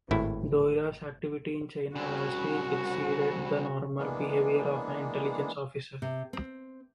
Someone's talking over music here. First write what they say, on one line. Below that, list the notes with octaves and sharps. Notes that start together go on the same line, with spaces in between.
Doihara's activity in China vastly exceeded the normal behaviour of an intelligence officer.
G#1 A2 E4
C2 C#3 F#4
E3 G#3 A#3 B3 D4
C3
C4